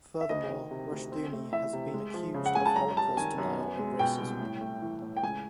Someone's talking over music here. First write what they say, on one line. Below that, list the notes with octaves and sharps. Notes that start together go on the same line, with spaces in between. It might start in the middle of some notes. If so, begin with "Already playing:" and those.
Furthermore, Rushdoony has been accused of Holocaust denial and racism.
E5
D2 D#5
D#3
C3
D2
C4
A3
E3 E5
C3
G#3
F3
C#3
F#5
C#2 G#5
A5
F#2 A#5
G3 A5
D#3 G#5
F#2
B3
G#3
B2 G5
C2
A2
A3
E3
A2
G5
C#2 G#5